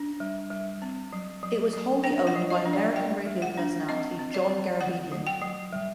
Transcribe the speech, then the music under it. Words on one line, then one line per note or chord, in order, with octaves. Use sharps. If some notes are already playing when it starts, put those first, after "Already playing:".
It was wholly owned by American radio personality John Garabedian.
Already playing: D4
G3
G3
C4
F#3
F#3
F#3
D4 G5
F#5
F#3
D#5
D4
D5
G3 G5
G3
F#5
D4
C4 D#5
C4
D5
C4
F#3 F#5
F#3
G5
F#3
G3